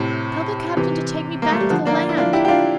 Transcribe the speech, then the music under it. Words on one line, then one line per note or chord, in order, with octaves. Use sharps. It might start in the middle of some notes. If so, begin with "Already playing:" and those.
Tell the captain to take me back to the land.
Already playing: A2 C3
C3 E3
A#3
A3
G3
D3 F3
A#3 D4
E4
D4 F4
E4 G4
G4
D4 F4